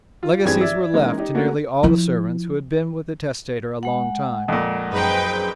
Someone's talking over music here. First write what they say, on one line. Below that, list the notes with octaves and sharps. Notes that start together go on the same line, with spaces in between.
Legacies were left to nearly all the servants who had been with the testator a long time.
F4
A1 G2 C4 G4 G#4 G#6
D5 E5 E6
E3 G#3 A#3 C#4 D#4
D#4 G4
A3 A#3 C#4 F#4
F3 E4
G#3 F#5
F2 A#2
F#2 D#4 G#4 B4 C5 G5